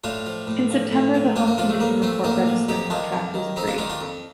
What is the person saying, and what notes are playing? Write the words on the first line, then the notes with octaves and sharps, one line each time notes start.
In September the Home Condition Report Register contract was agreed.
A2 D4 F4
F3
A2
F3
A2
F3
A2 D4 F4
A#3
F3 D4 F4
A3
A2 A#3
F3 A3 C4
A2 A#3 D4
F3
F2 D#4 G4
D#3 D4 F4
F2
D#3
F2 C4 D#4
D4 F4
D#3 D4 F4
D4 F4
F2